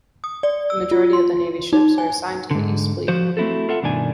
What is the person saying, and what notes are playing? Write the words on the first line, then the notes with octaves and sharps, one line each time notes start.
The majority of the navy's ships are assigned to the East Fleet.
D#6
D5
E6
F4
C6
D#4
G#5
G#2 D3
F3 F#4 C5
A3 C4 E4 F#4 A4
F4 A4 E5 F#5
G2 B2 D#3 D4 G#5